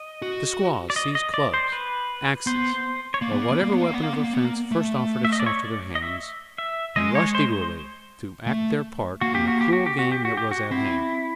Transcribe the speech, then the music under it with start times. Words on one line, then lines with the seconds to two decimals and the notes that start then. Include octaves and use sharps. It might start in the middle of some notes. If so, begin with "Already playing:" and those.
The squaws seized clubs, axes, or whatever weapon of offense first offered itself to their hands, and rushed eagerly to act their part in the cruel game that was at hand.
Already playing: D#5
0.22 F#4
0.90 D5
0.96 D#5
1.15 D#5
1.34 D5
1.54 C5
1.72 B4
2.47 B3 C5
3.14 C#5
3.21 A#3 D5
3.32 B3
3.42 A#3
3.52 B3
3.63 A#3
3.72 B3
3.83 A#3
3.93 B3
4.03 A#3
4.13 B3
4.23 A#3
4.33 B3
4.44 A#3
4.72 A3
5.25 E5
5.32 D#5
5.40 D5
5.46 C#5
5.65 D5
5.95 D#5
6.02 E5
6.58 E5
6.96 G#3 D#5
7.15 C#5
7.35 C5
7.53 C5
8.47 A3
9.21 A#3 F#4
9.35 G4
9.48 F#4
9.61 G4
9.73 F#4
9.86 G4
9.99 F#4
10.12 G4
10.25 F#4
10.37 G4
10.51 F#4
10.71 C4 E4